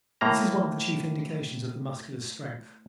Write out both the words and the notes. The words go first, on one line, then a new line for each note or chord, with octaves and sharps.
This is one of the chief indications of the Muscular's strength.
A2 A#3 A#5